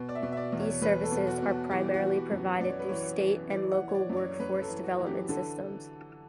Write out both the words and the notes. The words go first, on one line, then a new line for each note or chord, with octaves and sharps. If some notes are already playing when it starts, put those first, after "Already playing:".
These services are primarily provided through state and local workforce development systems.
Already playing: B2
D5
E5
B2
E5
D5
E2
C#5
E2 B4
A4
B2
F#4
B2
F#4
E3 G4
G4
F#4
E3
G4
F#2
F#2 D5
C#5
B4
E3 C#5
E3
E3 D5
F#5
E3
C#5
D5
F#2 D5
C#5
C#5
F#2 B4
A4
E3
F#4
E3 F#4
G4
D3 A4